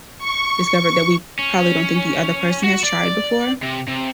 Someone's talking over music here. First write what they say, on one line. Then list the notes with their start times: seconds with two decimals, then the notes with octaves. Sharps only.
discovered that we probably don't think the other person has tried before.
0.18 C#6
1.39 C#4
2.64 F#4
2.84 D5
3.63 C3
3.88 C3